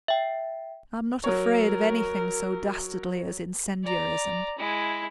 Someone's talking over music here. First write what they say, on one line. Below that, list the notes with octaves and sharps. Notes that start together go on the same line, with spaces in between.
'I'm not afraid of anything so dastardly as incendiarism.
E5 G5
F#3 A#4 C#5
D5 A#5
G#3 E4